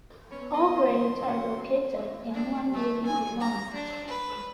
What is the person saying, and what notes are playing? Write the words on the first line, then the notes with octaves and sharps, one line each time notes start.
All grades are located in one building in Laurens.
B3 C#4 B4 C#5
D#5 C6
C#4 F#4 F#5
D4
A3
G#5
A#5
D4
B4